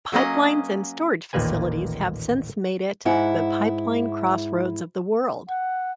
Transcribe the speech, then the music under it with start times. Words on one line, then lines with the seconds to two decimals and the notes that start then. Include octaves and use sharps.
Pipelines and storage facilities have since made it the pipeline crossroads of the world.
0.12 F#3 A#3 C#4 D#5
1.33 A1 D#2 A#2 A#3 B4 G#5
3.05 G#2 E4 F#5
5.48 F#5